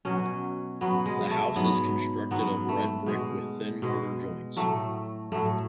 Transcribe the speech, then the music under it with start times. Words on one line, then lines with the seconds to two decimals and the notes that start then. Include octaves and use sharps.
The house is constructed of red brick with thin mortar joints.
0.05 B2 F#3 C#4
0.81 B2 F#3 B3
1.06 G#3
1.31 A3
1.56 G#2 F#3 B3
2.31 G#2 F#3 B3
2.69 A3
3.06 B2 G#3
3.82 B2 G#3
4.56 A2 F#3 A3
5.32 A2 F#3 A3